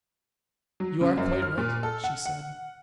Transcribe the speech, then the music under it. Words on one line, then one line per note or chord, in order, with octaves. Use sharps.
'You are quite right,' she said.
F#3
C#3
F#2
F6
A#2
A4
F#5
F#5